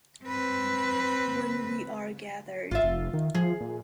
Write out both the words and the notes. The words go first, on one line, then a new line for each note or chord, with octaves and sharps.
When We Are Gathered.
C4 B4
G#1 F4 E5
F1
D#3
F3 G#4
A#2